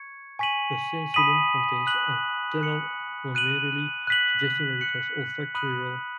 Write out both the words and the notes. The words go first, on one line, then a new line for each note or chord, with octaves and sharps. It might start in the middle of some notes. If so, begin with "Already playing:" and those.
The sensillum contains antennal glomeruli, suggesting that it has an olfactory role.
Already playing: C#6 G#6 C#7
G#5 C#6 B6 D#7 F#7
B5 D#6 B6 D#7 F#7
F#6 B6 F#7
F#6 C#7 F#7
F#6 D#7 F#7
F#6 B6 F#7
F#6 C#7 F#7
B5 D#6 F#6 D#7 F#7